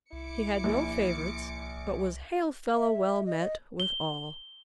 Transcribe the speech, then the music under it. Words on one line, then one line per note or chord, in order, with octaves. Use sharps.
He had no favorites, but was hail-fellow-well-met with all.
C2 E4 D6 C#7
A#1
E5
D#5
D#5
G7